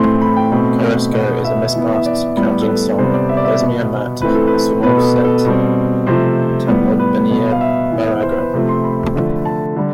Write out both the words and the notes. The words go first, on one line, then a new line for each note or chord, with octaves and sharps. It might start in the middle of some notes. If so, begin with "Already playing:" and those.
Cairasco is a misparsed counting song, "besmia mat acosomuset tamobenir marago".
Already playing: A2 E3 A3 C4 C6
B5
G5
B2 A3 C4 B5
B2 B3
E5
E3 B3
E5
D5
A2 G3 B3
A4
B4
C3 G3 B3 C5
D5
E5
D5
E5
B2 B3
E3 A3 C4 B4
A4
B4
B2 B3 B4
A4
A4
B2 G3 C4
C3 F3 A3 C5
A2 G3 B3
B4
B2 B3
F5
E5
E3 B3
C5
B4
C3 F3 A3 C4
C6
B5
D3 F3 A3
A5
D3 G3